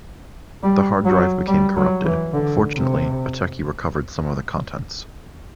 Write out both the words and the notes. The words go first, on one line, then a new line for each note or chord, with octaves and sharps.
The hard drive became corrupted, fortunately, a techie recovered some of the contents.
G3
F#3
G3
F#3
E3
D3
C3